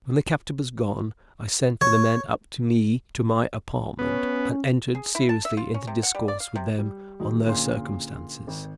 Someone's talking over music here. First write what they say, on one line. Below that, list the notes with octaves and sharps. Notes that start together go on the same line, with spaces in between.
When the captain was gone, I sent for the men up to me to my apartment, and entered seriously into discourse with them on their circumstances.
C#5
B3 C#4
G#4
E4
A5
E5
F4
C#4
C3
F#5
G3
D5
F5
C3
G3
D#3 F#3 G#3
A#2 D3 A#3 C#4 G#4 C6
G#1